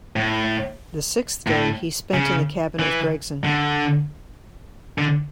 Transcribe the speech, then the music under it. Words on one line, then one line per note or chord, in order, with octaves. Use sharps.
The sixth day he spent in the cabin with Gregson.
A2
A2
C#3
E3
D3
D3